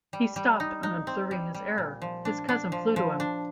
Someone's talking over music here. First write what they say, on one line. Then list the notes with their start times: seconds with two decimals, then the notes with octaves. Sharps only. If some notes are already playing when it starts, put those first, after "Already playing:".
He stopped on observing his error: his cousin flew to him.
0.13 G3
0.36 G3
0.60 D#4
0.83 D#4
1.07 C4
1.31 G3
1.54 G3
1.78 A#2
2.02 F3
2.25 D4
2.49 D4
2.72 F3
2.96 F3
3.20 D4